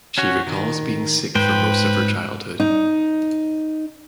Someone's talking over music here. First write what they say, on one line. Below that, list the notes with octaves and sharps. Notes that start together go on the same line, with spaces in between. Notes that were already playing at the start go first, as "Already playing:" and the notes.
She recalls being sick for most of her childhood.
C#4 F#4 C#5
D#3
G#2 B4 C5 G5
D#4